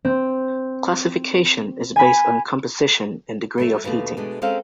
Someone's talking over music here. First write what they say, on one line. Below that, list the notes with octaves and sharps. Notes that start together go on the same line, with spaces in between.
Classification is based on composition and degree of heating.
C4
G#5 B5
F#3 A3 E5
D#2 B2 D3 A3
B2 G#3 A3 D4
G#3 C4 C#4 A4 A#4 F5